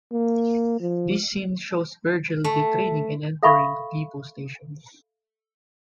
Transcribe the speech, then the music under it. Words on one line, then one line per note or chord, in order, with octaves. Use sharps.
This scene shows Virgil detraining and entering the depot station.
A#3
F3
A3
A4 E5 F5 B5 C#6